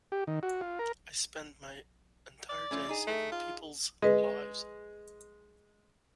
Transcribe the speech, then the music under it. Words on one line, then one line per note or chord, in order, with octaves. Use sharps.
I spend my entire day saving people's lives.
G4
D#3
F#4
F4
A#4
D5
F3 A3 C#4
D#4 G#4
A3
F4
G#3 B4 D#5